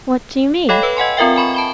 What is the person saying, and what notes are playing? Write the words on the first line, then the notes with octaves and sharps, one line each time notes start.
What do you mean?
A4 C#5 D#5 F5 G5 B5
B4 E6
D#5 F#5 G#5 C6
C4 F4 A#4 E5 G5
G#5 B5 C#6
A5 B5 G7